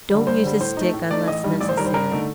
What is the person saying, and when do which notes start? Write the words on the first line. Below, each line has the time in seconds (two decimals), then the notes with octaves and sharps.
Don't use a stick unless necessary.
0.10 D3 G3
0.27 G2 C5
0.44 D3 G3
0.60 A2 C5
0.77 A3 D#4
0.93 A2
1.11 A3 D#4 D5
1.27 A1 D#5
1.44 G2 D#3 G3
1.61 A1 D5
1.69 C5
1.77 G2 D#3 G3 A#4
1.86 C5
1.94 G2 A#4
2.11 D3 A3 D#4